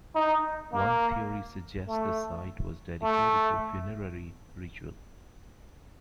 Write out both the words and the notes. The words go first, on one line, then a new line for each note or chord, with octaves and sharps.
One theory suggests the site was dedicated to funerary ritual.
D#4
A#3
A3
A3